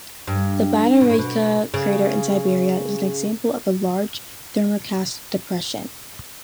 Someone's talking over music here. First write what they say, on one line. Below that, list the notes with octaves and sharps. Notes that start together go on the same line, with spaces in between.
The Batagaika crater in Siberia is an example of a large thermokarst depression.
G2
B2
A2
B2
C#3